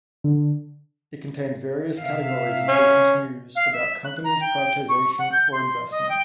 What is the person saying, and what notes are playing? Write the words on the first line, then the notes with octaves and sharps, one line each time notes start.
It contained various categories of business news, about companies, privatization or investment.
D3
C3 E5 F5
C#4
F5
E5
F#6
A#5
G5
C#6
F#5
G6
C6
D#5
G5